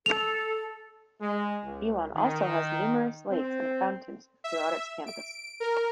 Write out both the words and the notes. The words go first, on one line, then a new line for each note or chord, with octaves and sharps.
Elon also has numerous lakes and fountains throughout its campus.
A4 F7
G#3
C#2
D#3
C4
E5
D7
A#4